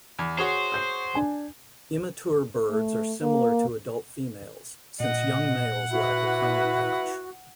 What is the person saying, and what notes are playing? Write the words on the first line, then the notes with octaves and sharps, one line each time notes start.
Immature birds are similar to adult females, since young males lack a crown patch.
E2
F#4 G#4 C5 C#5
D#6 G6 C7
D4 G#5
A3
A#3
A#2 D#5 F#5
E4 F#4 B4